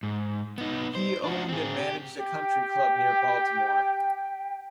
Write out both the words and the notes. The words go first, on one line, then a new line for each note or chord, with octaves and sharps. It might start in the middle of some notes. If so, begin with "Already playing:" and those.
He owned and managed a country club near Baltimore.
G#2
B3 D#4
C5
D4 F#4
C4 G#4
G4
G4 G5